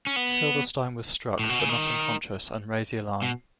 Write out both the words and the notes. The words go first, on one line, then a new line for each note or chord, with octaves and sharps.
Sylberstein was struck but not unconscious, and raised the alarm.
C#4
B3
A2
B2
C#3
D#3
B2